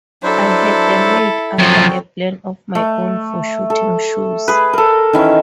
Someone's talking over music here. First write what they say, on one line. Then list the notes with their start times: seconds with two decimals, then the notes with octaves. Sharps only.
I had them made after a plan of my own, for shooting-shoes.
0.23 F#3 D4 E4 A4 C5
1.58 F#2 F3 C4 F#4
2.75 A3
3.70 A4
4.48 G#4 B4
4.73 A4 A#4
5.13 D#3 E3 C#4